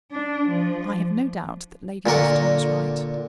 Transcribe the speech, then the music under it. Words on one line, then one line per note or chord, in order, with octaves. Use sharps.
I have no doubt that Lady Lufton was right.
D4
F3
A#2 D3 A#4 C#6